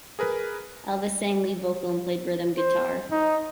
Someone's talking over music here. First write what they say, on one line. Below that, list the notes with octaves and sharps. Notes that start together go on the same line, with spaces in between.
Elvis sang lead vocal, and played rhythm guitar.
G#4 A#4 B4
C5
D#4